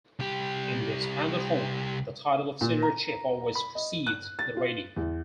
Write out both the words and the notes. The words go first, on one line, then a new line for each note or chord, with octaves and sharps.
In the expanded form, the title of senior chief always precedes the rating.
C2 G4
A#2
A#5
B5
D#5
F#6
A6
F4
E2